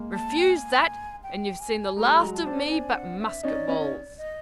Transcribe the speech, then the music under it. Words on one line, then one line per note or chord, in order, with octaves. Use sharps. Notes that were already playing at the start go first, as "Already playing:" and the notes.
"Refuse that, and you've seen the last of me but musket-balls."
Already playing: G#3 A#3
A5
G5
G#5
G5
G#5
G3 A3 A#5
F#3 G#3
A5
C4 D4
G#5
F#5
E5
C#4 D#4 D5
C#4 D#4
D5
D#5